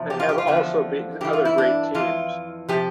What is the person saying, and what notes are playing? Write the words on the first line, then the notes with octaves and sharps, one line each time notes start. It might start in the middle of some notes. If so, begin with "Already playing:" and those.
They have also beaten other great teams.
Already playing: E2 C3 F3
G4
F4
G4
F4
E2 D3 F3
G2 E3 G4
F4
E4
D4
F2 E3 F4
C3 F3 G4